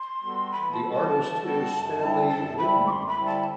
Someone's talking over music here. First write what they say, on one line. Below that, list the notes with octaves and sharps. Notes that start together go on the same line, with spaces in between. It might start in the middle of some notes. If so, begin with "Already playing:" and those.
The artist is Stanley Witten.
Already playing: C6
G3 B3 F#4 A4
E3 B5
A5
G3 B3 F#4 A4
A5
E3
G3 B3 F#4 A4
F#2
D3 G3 C4 E4
F#2 A5
D3 G3 C4 E4 B5
F#2 C6 D6
B5
D3 G3 C4 E4
A5